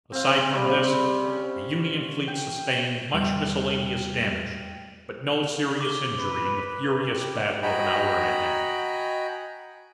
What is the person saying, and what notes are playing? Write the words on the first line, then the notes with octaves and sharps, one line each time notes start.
Aside from this, the Union fleet sustained much miscellaneous damage, but no serious injury in the furious battle of an hour and a half.
C4 F5
C3 G3
C#4
G5
E2 G3 G5 F6
D6 G7
B4
G4
F#4 D#5 G5 G#5 A#5 B5